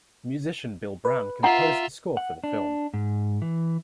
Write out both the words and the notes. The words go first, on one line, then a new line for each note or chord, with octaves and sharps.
Musician Bill Brown composed the score for the film.
B4
F4 E5 F#5 A#5
F#5
D4
G#2
E3